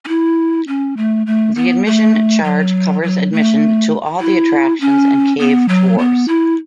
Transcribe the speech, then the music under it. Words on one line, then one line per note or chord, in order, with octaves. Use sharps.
The admission charge covers admission to all the attractions and cave tours.
C#4
E4
C#4
A3
A3
B3
A3
F#3
F#3
A3
E4
C#4
B3
F#3
B3
E4